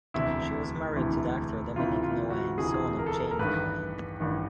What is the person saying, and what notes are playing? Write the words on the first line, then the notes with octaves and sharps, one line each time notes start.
She was married to the actor Dominique Nohain, son of Jean Nohain.
E1 D2 C3 E3 E4
E1 D2 C3 E3
E1 D2 C3 E3 F4
F4
F#4
E1 D2 C3 E3 G#4
A#4
A4
A#4
A#4
A1 G2 D#3 B4
A1 G2 D#3